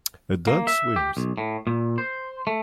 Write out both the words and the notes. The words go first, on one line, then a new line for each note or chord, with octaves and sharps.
A dog swims.
A#3
E5
G4
B1
A2
A#2
C5
A3